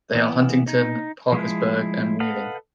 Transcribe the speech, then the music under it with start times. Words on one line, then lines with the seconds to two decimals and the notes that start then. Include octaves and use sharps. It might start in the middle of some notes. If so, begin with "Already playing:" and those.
They are Huntington, Parkersburg, and Wheeling.
0.15 E3 B3
0.67 D#4
1.32 F3 G#3 E4
2.20 A4 B4 D#5 F5 F#5